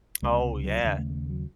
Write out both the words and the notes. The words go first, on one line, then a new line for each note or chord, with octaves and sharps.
Oh, yeah.
C#2 C3 G#3
F#3
D#2 C#3 G#3
A3
A3
F#3